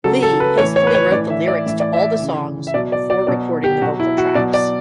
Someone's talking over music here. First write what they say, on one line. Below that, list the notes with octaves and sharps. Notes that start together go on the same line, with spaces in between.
Lee hastily wrote the lyrics to all the songs before recording the vocal tracks.
C#3 F#3 A4
A4
B4
A2 E3 C#5
C#5
B4
C#5
A2 D5
E3
E5
D5
A2 E3 E5
D5
E5
C#3 E3
E5
B2 F#3 D5
D5
D5
B2 F#3 D5
G4
B2 F#3 F#4
E4
F#4
B2 F#3 D5
D5